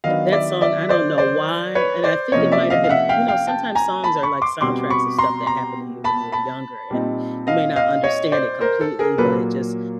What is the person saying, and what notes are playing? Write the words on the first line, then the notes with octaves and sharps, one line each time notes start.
That song, I don't know why, and I think it might've been you know, sometimes songs are, like, soundtracks of stuff that happened to you when you were younger, and you may not understand it completely, but it just
D#3 F#3 B3 D4 D#5 F5
D5 E5
D5 E5
C5 D5
C5 D5
B4 C#5
C5 D5
C3 F3 A#3 C#4 C#5 D#5
D5 E5
D#5 F5
F5
E5 F#5
F5 G5
F5 G5
G5 A5
G#5 A#5
A5 B5
B5 C#6
C6 D6
B2 G3 C4 C6 D6
B5 C#6
A#5 C6
A#5 C6
A5 B5
A5 B5
A#2 G3 C4 D#4
D#5 F5
D#5 F5
C#5 D#5
C5 D5
A#4 C5
A4
G#4 A#4
A#2 F#3 A#3 A4 B4